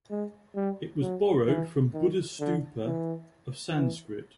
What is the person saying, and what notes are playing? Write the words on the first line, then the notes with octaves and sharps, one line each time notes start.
It was borrowed from "buddhastupa" of Sanskrit.
G#3
G3
F#3
E3
D#3
D3
E3
E3